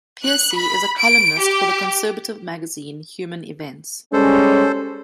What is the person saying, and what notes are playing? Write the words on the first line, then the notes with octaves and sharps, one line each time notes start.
Pearcey is a columnist for the conservative magazine "Human Events".
F#6
B5
D7
G4
G3 G#3 C#4 A4 C5